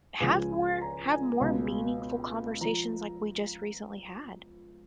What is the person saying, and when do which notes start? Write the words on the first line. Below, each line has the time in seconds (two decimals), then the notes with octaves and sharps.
have more have more meaningful conversations like we just recently had.
0.20 C#2 C#3 F3 G#5
0.81 A#5
1.11 G#5
1.41 C#2 B2
2.61 F3 A#5